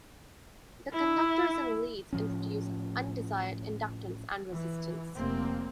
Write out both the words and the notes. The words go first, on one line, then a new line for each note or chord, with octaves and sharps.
The conductors and leads introduce undesired inductance and resistance.
E4
A2 F3 C#4
E3
F1 A#3 C4